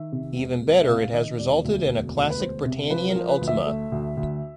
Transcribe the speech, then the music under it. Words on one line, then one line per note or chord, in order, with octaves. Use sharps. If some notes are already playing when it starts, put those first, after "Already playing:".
Even better, it has resulted in a classic Britannian Ultima.
Already playing: D#3 E5
C3
E1
E1
E5
C3 F5
D#3 D#5
E1 D5
D2
E1
D2
B4
E1 C5
C3
F3 B4
A#4
F3
B4
D2
E5
A3
D2
D2